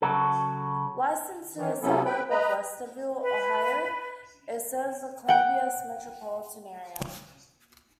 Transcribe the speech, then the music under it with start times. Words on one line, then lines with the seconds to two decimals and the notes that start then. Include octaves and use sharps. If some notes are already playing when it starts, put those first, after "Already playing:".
Licensed to the suburb of Westerville, Ohio, it serves the Columbus metropolitan area.
0.02 C#3 F#3 F#4 A4
1.57 D#3 E3
1.82 C3 F#3 B3 C#4 E4 A4
2.05 B4 G5 B5
2.30 B4 D#5 A#5 B5
3.21 B4
5.29 F#5 G5